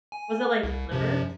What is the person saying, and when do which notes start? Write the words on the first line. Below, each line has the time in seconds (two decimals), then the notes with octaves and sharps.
Was it, like, slivers?
0.12 G#5
0.63 C2
0.92 F#2 C3 F3